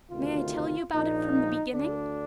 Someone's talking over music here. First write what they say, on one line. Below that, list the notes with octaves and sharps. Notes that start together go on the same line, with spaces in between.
'May I tell you about it from the beginning?'
D2 C3 D#3 F4
A#1 A#2 D#4
D2 D3 D4